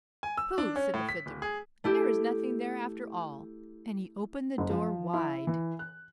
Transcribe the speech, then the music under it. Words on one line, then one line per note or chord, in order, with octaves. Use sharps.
"Pooh!" said the Fiddler, "There's nothing there, after all," and he opened the door wide.
G#5
E6
D4
C#4
A2
B6
D1
G#4
A3 E4 G4
F#1
F3
E4
E3
F#6